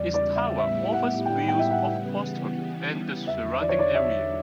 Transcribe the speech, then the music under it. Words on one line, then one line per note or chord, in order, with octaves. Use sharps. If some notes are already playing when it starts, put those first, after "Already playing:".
Its tower offers views of Boston and the surrounding area.
Already playing: E2 C#3 G3 D5
D5
E5
A2 G3 B3 E4 G4 E5
F#5
G5
G5
E5
F#5
C#3 E3 G3 B3
E2 D3 F#3 E5
D5
C#5
D5
E5